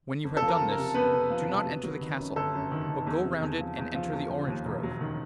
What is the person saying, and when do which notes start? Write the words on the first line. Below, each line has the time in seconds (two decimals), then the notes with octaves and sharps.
When you have done this, do not enter the castle, but go round it and enter the orange grove.
0.24 F2
0.37 A4
0.42 F3
0.48 A#4
0.59 F#1
0.71 A#4
0.77 C3
0.94 F2 B3 B4
1.12 C3
1.30 F3
1.48 C3
1.65 F#3
1.83 F#3
2.01 D#3
2.19 F#2
2.36 G1 A4
2.54 F#2
2.71 D#3
2.89 D#3
3.07 E2
3.24 C3
3.42 E2
3.60 F3
3.78 E2
3.95 F3
4.13 E2
4.30 F3
4.47 D#2
4.65 E1
4.83 F#3
5.01 D#3